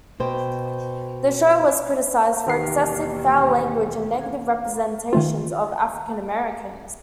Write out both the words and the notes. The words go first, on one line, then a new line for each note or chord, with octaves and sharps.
The show was criticized for excessive foul language and negative representations of African Americans.
B2 C5 G5
D#2 B2 D#3 E3 G4 A#4 C7
D#3 A3 F4